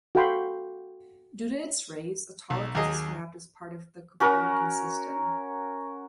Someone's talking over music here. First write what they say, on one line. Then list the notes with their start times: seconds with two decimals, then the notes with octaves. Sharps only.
Due to its rays, Autolycus is mapped as part of the Copernican System.
0.15 F#4 A4 F5 G5 B5 C6
2.50 B1
2.75 D#2 F#3 G#4 D#5
4.20 C#4 F#4 A#4